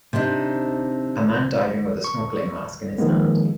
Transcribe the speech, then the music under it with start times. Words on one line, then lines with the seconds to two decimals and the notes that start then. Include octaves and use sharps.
A man diving with a snorkeling mask in his hand.
0.13 C3 C4 D4 D#4
2.04 C#6
2.98 D#3 F3 G#3 A#3 B3